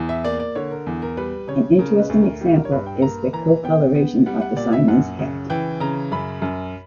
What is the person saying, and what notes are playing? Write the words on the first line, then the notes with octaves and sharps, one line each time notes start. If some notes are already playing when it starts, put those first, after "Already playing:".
An interesting example is the coat coloration of the Siamese cat.
Already playing: E2
E5
A#3 D5
D5
D3 C#5
A#4
E2
A#4
G3 B4
C#3 C#5
C#3 A#4
B4
D2
A#4
G3 G4
A#4
C#5
G2 B4
G5
A#3 A#5
E3 A#5
B3 G5
B3
G3 F#5
F#5
A#2 D5
E5
F#2 F#5
C#3
E3 G5
C#3 A#5
F#2 B5
F#2